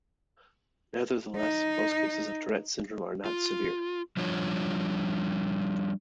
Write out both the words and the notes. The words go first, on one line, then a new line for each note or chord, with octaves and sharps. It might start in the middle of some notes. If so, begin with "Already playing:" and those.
Nevertheless, most cases of Tourette syndrome are not severe.
D#4
F4
F3 G3 D4 F4 C#5